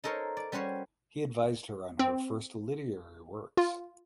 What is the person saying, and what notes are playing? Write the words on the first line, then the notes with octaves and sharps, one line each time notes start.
He advised her on her first literary works.
D#4 A4 A#4 C5 C#5
D5
G3 C#4 F#4 C5 C#5
C4
F4